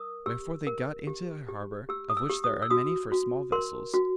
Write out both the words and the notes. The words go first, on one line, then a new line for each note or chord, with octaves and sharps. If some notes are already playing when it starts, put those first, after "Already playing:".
Wherefore they got into a harbor, of which there are many for small vessels.
Already playing: A#4 D#6
G4 E6
A#4
G4
G4
G4 E6
D#6
E6
G4
D#6
E6
F#4 D#6
F#4
A#4 C6
F#4